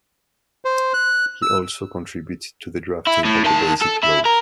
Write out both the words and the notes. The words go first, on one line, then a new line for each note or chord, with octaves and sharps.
He also contributed to the drafting of the Basic Law.
C5
F#6
E6
E4
A2
D#3 A5
A4
E4
A#4